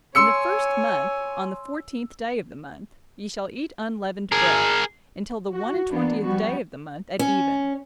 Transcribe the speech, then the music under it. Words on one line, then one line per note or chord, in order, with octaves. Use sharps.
In the first month, on the fourteenth day of the month, ye shall eat unleavened bread, until the one-and-twentieth day of the month at even.
C#5 G#5 C6 E6 C#7
G#4 A#4
F#4
E3 A#3 B3 D4
F3 G3 B3 F#4
C#4